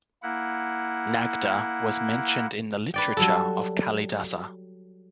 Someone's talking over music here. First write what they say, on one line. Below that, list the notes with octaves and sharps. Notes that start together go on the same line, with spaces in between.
Nagda was mentioned in the literature of Kalidasa.
A#3 E4 F#5
B4 D5 G5
F#3 G3 A4